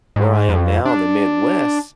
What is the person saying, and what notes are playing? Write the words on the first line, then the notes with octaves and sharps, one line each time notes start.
where I am now in the Midwest,
G#2
F2
D4